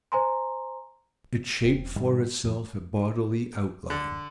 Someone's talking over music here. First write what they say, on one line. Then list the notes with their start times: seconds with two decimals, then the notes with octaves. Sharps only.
It shaped for itself a bodily outline.
0.12 C5 G#5 A#5 C6
1.63 E1 C4
1.96 G#2 D#3 G3
2.45 F2 E3
3.90 D3